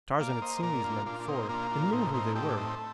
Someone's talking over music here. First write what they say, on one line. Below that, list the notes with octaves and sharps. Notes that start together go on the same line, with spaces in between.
Tarzan had seen these men before and knew who they were.
A#3 D5 F5
C5 D#5
A#2 A#4 D5
D4 F4
A#2 D4 F4
D4
C4 D#4
A#3 D4 F4
D4 F4
A2 C4 D#4
C4 D#4
A3 D#4 G4
D4
C4 D#4